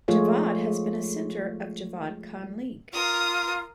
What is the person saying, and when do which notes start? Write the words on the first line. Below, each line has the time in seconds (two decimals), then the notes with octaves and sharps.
Javad has been a center of Javad Khanlig.
0.08 F3 G#3 A3 F4 G#4 C#5
2.93 F4 A#4 D#6